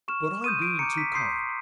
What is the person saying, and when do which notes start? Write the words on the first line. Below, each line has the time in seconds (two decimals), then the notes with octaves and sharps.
But I'm being too kind.
0.08 C#6 F6 E7
0.44 C6 D#6 G6 D#7
0.62 D7
0.79 A#5 D6 G6 C#7
0.98 B6
1.14 C6 D#6 G6 C7